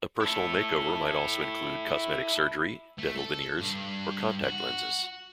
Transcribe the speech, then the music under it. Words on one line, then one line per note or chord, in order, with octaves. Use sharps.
A personal makeover might also include cosmetic surgery, dental veneers, or contact lenses.
E4 A4
A3
A4
G2
F#4